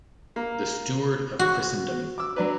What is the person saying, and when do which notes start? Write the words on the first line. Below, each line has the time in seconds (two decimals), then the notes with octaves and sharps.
The Steward of Christendom.
0.36 A#3
1.39 F#4
2.18 D6 E6
2.36 F#3 D4 B4